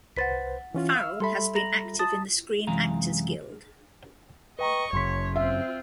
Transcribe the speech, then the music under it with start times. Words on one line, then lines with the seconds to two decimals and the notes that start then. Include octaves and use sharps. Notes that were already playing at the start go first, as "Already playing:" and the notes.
Farrell has been active in the Screen Actors Guild.
0.16 C2 B4 C5 F#5 A6 B6
0.74 E3 C#4 F4
0.95 F5 E6 F6
1.20 G3 A4 E5 B5 C6
1.55 A#5 A#6 F#7
1.99 A5 D#6 A6
2.67 F#2 C3 E3 G#3 F5 A#5
4.59 B4 D#5 G5 A#5 C#6
4.93 G1 F#2 C#3 C#5 C6 B6
5.36 C4 F4 E5